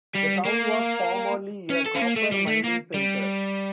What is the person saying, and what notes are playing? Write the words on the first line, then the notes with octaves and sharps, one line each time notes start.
The town was formerly a copper-mining center.
G3
A#3
C#4
A4
C#4
A#3
A3
G3
A3
A#3
G3